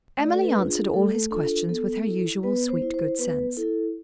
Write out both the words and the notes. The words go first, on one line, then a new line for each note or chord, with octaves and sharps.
Emily answered all his questions with her usual sweet, good sense.
A3 D5
A4
B4
D4 F4
G#4
A3 A4
D4 F4 A4
B3 A4
E4
B3 B4
C5
E4
C5
B3 B4
E4 A4